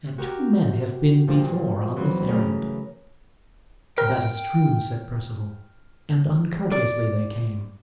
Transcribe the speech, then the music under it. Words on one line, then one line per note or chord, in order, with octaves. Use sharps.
And two men have been before on this errand." "That is true," said Perceval; "and uncourteously they came.
F#4 G4 A#4
G2 A#2 F3 G3
F2 E3 F#3 C4
C#3 E3 A3 E4 A#4
A#4 G5 F6
D5